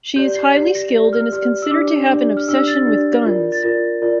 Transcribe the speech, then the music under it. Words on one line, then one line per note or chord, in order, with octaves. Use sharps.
She is highly skilled and is considered to have an obsession with guns.
G4 D5 G6
C7
G4 D5 C7
A#6
G4 D5
F6
G4 D5 F6
E6
D4 G4 D5 D6
D4 G4 D5
F6
D4 G4 D5 E6
A6
D4 G4 D5
F4 A#4 D5
A6
F4 A#4 D5 A#6
F4 A#4 D5